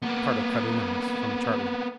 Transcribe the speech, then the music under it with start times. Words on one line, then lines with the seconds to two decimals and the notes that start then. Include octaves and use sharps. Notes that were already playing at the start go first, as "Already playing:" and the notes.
Carter cut in on us from the chart room.
0.02 A#3 B3